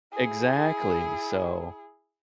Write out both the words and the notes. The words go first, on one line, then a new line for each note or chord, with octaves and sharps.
exactly, so,
E4 G#4